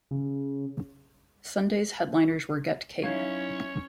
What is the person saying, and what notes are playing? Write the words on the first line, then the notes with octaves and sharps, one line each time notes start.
Sunday's headliners were Get Cape.
C#3
F#3 C#4 D#4 E4 C#5 F5 G#6